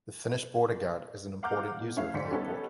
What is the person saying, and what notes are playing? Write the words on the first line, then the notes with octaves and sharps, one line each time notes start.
The Finnish Border Guard is an important user of the Airport.
F5 F#5 A#5 D6 F6 G6
B2
A3 C#4 E4 E5 F5
D2 G#2 C5 D5 B6 C#7
G3 B3 C#4 D#4 A4